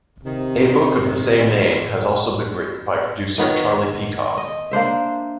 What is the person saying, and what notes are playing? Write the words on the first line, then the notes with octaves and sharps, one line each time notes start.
A book of the same name has also been written by producer Charlie Peacock.
C3 D#3
D#3 B3 C#5
D#5
A#3 D4 C5 E5